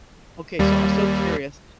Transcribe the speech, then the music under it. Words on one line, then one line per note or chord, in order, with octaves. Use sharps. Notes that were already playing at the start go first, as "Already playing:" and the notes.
Okay, so I'm so curious
D#2 G3